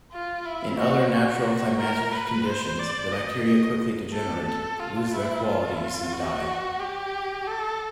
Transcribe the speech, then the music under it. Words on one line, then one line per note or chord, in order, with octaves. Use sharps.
In other natural climatic conditions the bacteria quickly degenerate, lose their qualities and die.
F4
E4
F#4
F#4
A#4
B4
C5
D5
D#5
A4
A4
F4
E4
F4
F#4
G4
A4